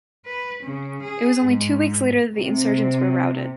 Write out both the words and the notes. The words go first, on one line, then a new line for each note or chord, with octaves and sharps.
It was only two weeks later that the insurgents were routed.
B4
C#3
G#4
G#2
C3